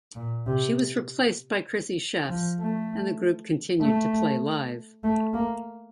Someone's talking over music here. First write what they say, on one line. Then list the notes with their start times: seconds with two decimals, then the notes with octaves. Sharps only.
She was replaced by Chrissy Shefts and the group continued to play live.
0.15 A#2
0.46 C3
2.29 F3
2.60 A3
3.81 A3
5.04 A3
5.34 A#3